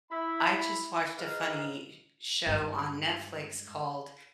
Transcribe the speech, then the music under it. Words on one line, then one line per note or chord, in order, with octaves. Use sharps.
I just watched a funny s show on Netflix called
E4 B5
G#2 D#4 B4 F5
G2 G#3